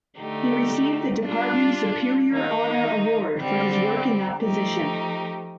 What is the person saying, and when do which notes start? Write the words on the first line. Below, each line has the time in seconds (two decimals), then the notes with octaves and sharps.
He received the Department's Superior Honor Award for his work in that position.
0.17 D3 A3 D#4 G4
1.24 G3 D4 F4
2.31 D#3 A#3 D#4
3.37 D3 G3 C4
4.43 F3 A3 D#4 G4